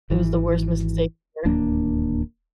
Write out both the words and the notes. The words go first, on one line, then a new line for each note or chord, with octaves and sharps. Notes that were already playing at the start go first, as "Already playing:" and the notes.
It was the worst mistake ever.
G#1 E3
D1 D#2 A#3 D4